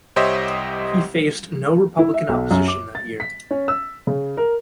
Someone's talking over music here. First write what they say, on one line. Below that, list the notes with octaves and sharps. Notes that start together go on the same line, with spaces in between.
He faced no Republican opposition that year.
C2 G4 C5 C#5 D#5 E5
E4
E5
B1
F#2
D6
A6
B6
C#4
E6
C#3
A#4